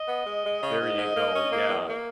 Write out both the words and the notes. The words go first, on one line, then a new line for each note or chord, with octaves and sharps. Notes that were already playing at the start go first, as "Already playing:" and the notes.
There you go, yeah,
Already playing: D#5
B3
G#3
G#3
C#3
G#2
G#2
A#3
C#4
A#3
E2
A#3